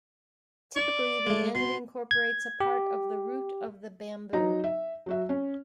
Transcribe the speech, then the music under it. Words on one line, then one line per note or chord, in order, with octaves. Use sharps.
Typically, the end incorporates a part of the root of the bamboo.
D5 C#6
G#3 A3
B2 C6
G#6
G4
F#3 D#4 A#5
E5
F#3 F#4 E5
C#4